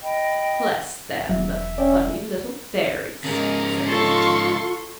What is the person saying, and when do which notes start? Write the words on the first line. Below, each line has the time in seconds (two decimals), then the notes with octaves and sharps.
"Bless them, the funny little fairies," said the Major.
0.02 D#5 G5 B5
1.29 E1 F#3 E5
1.78 C#4 D5 G5
3.24 G#2 C#3 G#4 A#4
3.88 F4 A4 C6 C#6